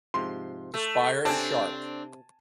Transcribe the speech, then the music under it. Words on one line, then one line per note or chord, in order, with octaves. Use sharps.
The spire is sharp.
G#2 C3 F3 C6
A3 A4
C3 C4 D4 G#5 A5